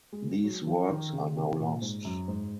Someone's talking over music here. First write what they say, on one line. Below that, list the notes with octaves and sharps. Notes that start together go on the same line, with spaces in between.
These works are now lost.
G#3
F#3
F3
D#3
C#3
C3
A#2
G#2
F#2
G#2